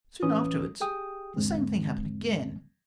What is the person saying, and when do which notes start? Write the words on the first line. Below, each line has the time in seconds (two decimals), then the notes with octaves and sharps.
Soon afterwards the same thing happened again.
0.23 A2 E3 C#4 B4 D#6
0.80 G4 G#4 G5 D#6
1.36 E2 G#2 D3 G#3 C4